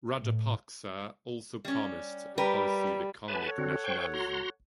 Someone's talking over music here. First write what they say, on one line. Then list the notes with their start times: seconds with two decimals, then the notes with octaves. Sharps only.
Rajapaksa also promised a policy of economic nationalism.
0.21 A2
1.65 G3 C#4
2.38 G3 G4 A#4 B4
3.28 A2 B4 F#5 G#5 A5 B5
3.45 A4 C#5 F#5
3.58 D3 C4 F#4
3.84 C5 G5 C#6
4.14 F#4 A#5 C6